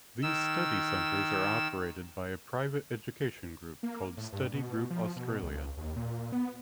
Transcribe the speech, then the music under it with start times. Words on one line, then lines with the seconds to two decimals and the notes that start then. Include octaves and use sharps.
These study centres are operated by a private education group called Study Group Australia.
0.22 D#3 E6
3.83 A#3
4.17 A2
4.32 G2
4.54 B2
4.90 F3
5.16 B2
5.43 C#2
5.77 D#2
5.96 A#2
6.32 B3